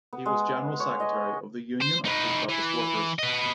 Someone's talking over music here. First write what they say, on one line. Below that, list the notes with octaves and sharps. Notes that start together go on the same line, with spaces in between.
He was General Secretary of the Union of Post Office Workers.
B3
G#3
C#5
D#5
C5
D#4 B4
E3
B4 D#5